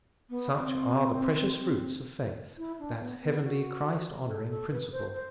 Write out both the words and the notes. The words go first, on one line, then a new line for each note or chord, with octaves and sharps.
Such are the precious fruits of faith,--that heavenly, Christ-honoring principle.
B3
C4
E4
D4
B3
B3
F#4
A4
A4
B4
C5
C5